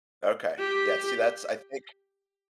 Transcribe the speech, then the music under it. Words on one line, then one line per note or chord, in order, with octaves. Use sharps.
Okay, yeah, see, that's I think
G4